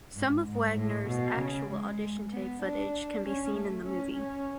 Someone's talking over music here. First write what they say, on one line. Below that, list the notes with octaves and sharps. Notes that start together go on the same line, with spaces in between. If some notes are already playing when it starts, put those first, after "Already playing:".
Some of Waggoner's actual audition tape footage can be seen in the movie.
G#2
G#2
A2
B2
C#3
G#3
B3
D4
C#4
A3
C#4
C#4